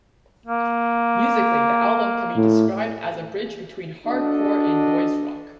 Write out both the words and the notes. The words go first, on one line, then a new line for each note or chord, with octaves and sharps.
Musically, the album can be described as a bridge between hardcore and noise rock.
A#3
A2
D4 F#4 A4 D#5